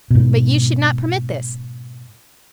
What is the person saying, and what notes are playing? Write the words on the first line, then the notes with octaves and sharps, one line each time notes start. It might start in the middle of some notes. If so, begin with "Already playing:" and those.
But you should not permit this.
G#2 B2